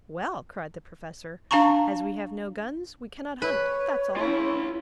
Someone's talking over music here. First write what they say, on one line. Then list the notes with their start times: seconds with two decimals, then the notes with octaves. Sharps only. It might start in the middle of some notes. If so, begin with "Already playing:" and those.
"Well," cried the Professor, "as we have no guns we cannot hunt, that's all."
1.51 D4 F5 A5 A#5 C#6
3.42 B4 C#5
4.16 C#4 E4 F4 B5